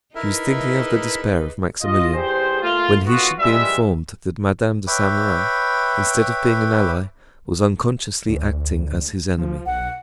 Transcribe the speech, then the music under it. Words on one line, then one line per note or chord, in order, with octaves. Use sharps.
She was thinking of the despair of Maximilian, when he should be informed that Madame de Saint-Meran, instead of being an ally, was unconsciously acting as his enemy.
D#4 E4 G#4 A#4 B4 E5
F4 D#5
E2 G4 G#4 C5
A3 A#3 F4
B1 F#2 B3 F4 F#4
A#1 E3 G3 G#3 F4 E5
B4 C#5 E5 G5 B5 D6
D2
F3
B1 F#5